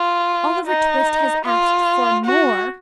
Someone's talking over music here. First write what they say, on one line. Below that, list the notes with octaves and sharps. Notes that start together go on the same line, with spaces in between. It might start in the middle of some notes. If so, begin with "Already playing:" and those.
Oliver Twist has asked for more!'
Already playing: F4
D#4
F4
F#4